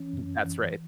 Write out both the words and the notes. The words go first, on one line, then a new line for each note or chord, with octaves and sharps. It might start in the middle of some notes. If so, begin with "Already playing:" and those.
M that's right.
Already playing: E3 C#4
F#2
E3